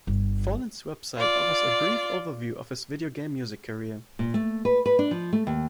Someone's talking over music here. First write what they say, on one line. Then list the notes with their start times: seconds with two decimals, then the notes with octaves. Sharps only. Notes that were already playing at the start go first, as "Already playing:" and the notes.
Follin's website offers a brief overview of his video game music career.
0.07 G1
1.16 F4 D5
4.19 A#2
4.34 A3
4.65 B4
4.86 B4
4.99 D4
5.11 F3
5.33 A3
5.47 D#2